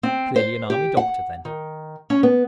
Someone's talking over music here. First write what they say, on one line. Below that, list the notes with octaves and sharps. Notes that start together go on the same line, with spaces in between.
Clearly an army doctor, then.
C4
C5
G4
F#5
D#3
C#4
B3